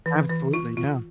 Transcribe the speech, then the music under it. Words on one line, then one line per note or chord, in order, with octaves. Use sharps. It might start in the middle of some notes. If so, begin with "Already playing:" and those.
Absolutely, yeah.
E3
E3
F4
F4